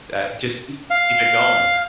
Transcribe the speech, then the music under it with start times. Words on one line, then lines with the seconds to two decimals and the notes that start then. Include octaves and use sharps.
That just keep keep it going.
0.90 F5